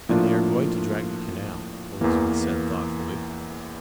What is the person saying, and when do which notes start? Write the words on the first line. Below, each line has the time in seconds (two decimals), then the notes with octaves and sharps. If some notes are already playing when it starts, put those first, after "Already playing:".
"And they are going to drag the canal," Elizabeth said thoughtfully.
0.09 A2 F3 A#3 D4 F4
2.01 E2 E3 A#3